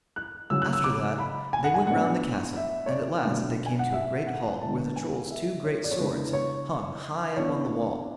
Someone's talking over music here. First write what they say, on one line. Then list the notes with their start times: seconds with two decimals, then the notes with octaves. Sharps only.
After that they went round the castle, and at last they came to a great hall, where the Trolls' two great swords hung high up on the wall.
0.16 F#6
0.50 C#3 F#3 C#4 E6
0.62 F#6
0.73 E6
0.84 D6
1.18 B5
1.53 G#5
1.64 F#5
1.74 G#5
1.87 A2 F#3 B3 D4 F#5
2.56 E5
2.86 C#5
2.90 D5
3.25 B2 F#3 A3 D4
3.66 G#5
3.79 F#5
3.93 E5
4.27 F#5
4.62 D3 G#3 B3 D4 A5
4.96 G#5
5.31 E5
5.64 C#5
5.84 D5
5.91 C#5
5.99 C#3 E3 G#3 B3 D4 B4
6.33 C#5
7.36 E3 B3 D4 C#5